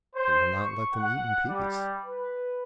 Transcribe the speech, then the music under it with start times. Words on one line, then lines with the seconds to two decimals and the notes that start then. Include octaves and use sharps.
It will not let them eat in peace.
0.16 C5
0.61 C#6
0.94 F#5
1.44 G3
2.04 B4